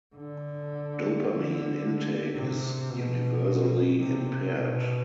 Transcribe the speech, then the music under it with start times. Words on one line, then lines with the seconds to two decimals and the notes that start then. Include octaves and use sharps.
Dopamine intake is universally impaired.
0.15 D3
1.26 D3
2.36 C3
2.91 B2
4.00 C3
4.55 B2